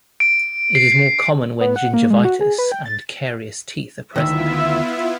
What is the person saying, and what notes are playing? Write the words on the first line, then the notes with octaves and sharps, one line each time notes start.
It is more common when gingivitis and carious teeth are present.
D7
C7
B3
F#5
A#3
G#3
F#4
G#4
B4
G5
A6
D2 G#2 D#3 B3 E4 F4 E5